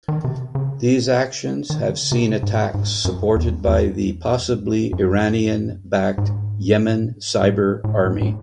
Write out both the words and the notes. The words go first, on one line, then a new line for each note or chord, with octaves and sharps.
These actions have seen attacks supported by the possibly Iranian backed Yemen Cyber Army.
D#3
C3
C#3
D#3
C#3
C3
G#2
G#2
F#2
E2
E2
F#2
G#2
A2
A2
A2
A2